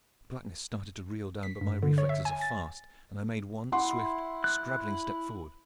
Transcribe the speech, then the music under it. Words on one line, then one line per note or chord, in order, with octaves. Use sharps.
The blackness started to reel down, but my reflexes are fast and I made one swift, scrabbling step forward.
B6
G2
D3
C#5
E5
G#5
A6
E4 F#5 C6
F#6